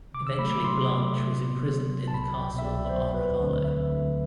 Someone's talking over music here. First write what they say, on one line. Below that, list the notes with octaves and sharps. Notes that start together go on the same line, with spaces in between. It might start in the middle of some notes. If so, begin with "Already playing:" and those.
Eventually Blanche was imprisoned in the castle of Arevalo.
C3 D6
E6
F#3 A3 B5
D6
C3 C6
F#3 A3
C3
F#3 B3
C3
F#3 B3
A5
C2 B5
B2 F#3 G5
E5
C2 D5
B2 F#3 C5
D2 B4
D3 F#3 A3 C4 C5
D2 E5
D3 F#3 A3 C4